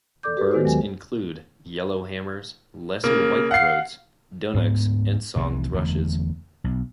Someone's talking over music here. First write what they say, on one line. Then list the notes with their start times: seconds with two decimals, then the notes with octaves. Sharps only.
Birds include yellowhammers, lesser whitethroats, dunnocks and song thrushes.
0.23 A4 D5 D6 G6
0.36 F#4 G4 A4 B4
0.51 D#3 G#3 B3 F#4 A4 C5
0.64 D#2 F#3 G#5
3.04 C#3 A#3
3.51 F5 F#5 C7
4.54 D2 G#2 A3 B3
5.36 F1 C2 C3 E3
5.74 F#1 E2 D3 A3
6.64 B1